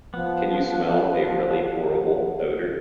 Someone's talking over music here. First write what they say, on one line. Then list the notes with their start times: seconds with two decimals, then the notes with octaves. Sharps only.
Can you smell a really horrible odour?
0.14 F3 B3